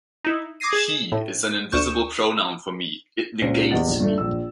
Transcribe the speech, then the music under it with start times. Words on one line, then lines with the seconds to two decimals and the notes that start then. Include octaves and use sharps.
'He' is an invisible pronoun for me, it negates me.
0.24 D#4 E4
0.60 D6 D#6 G#6 A#6 C7 D#7
0.73 G#4 E7
1.12 A2
1.72 D2 C#6 G6 E7
3.42 C#2 A#2 C#4 C5 A#6
3.71 E2 B3 G4 D#5 F#5 A6
3.88 A#1
4.00 G2 D3 A3
4.18 A#1 E6